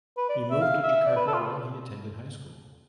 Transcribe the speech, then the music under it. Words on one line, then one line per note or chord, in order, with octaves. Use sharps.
He moved to Jakarta while he attended high school.
B4
D5
E5
F5
E5
D5
B4
A4
F4